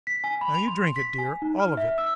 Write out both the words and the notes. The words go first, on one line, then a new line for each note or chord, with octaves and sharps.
"Now you drink it, dear; all of it."
B6
G#5
B5
F7
C6
B6
G#5
D#4
F6
E5
E6